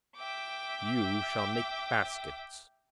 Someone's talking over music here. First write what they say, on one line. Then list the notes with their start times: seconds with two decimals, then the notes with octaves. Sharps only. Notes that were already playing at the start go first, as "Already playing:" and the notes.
You shall make baskets.'
0.17 E5 G5 D6